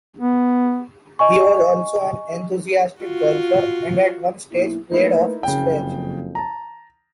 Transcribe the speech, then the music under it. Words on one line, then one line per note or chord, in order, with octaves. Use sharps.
He was also an enthusiastic golfer, and at one stage played off scratch.
B3
D#5 G#5 C#6
F4 F#4
B1 A#3 E4
A3 A#3 D#4 E4 A#4 B4
F#1 F2 C#3 G5
A5 A#5